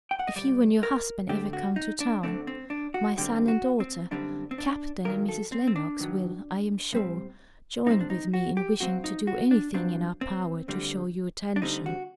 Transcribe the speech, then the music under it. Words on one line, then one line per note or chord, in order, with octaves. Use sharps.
If you and your husband ever come to town, my son and daughter, Captain and Mrs. Lennox, will, I am sure, join with me in wishing to do anything in our power to show you attention.'
G5
F#5
D#5
C2 C3 G3 D5
A#4
D2 D3 A3 C4 G4
F#4
D#4
D4
D2 D3 A3 C4 D4
C4
D4
F#4
F#2 D3 G3 C4 G4
F#4
C4
F#2 D3 G3 C4 D4
C4
D4
G2 D#3 F#3 A#4
A4
C4
C4
D4
G2 D#3 F#3
A2 G3 C4
A2 G3 C4 D#4
D4
D#4
F#4
G4
G2 F#3 C4 F#4
D#4
F#4
D4
G2 F#3 C4 D4
C4
D2 D3 G3 C4
D4
D2 D3 G3 C4 D#4
F#4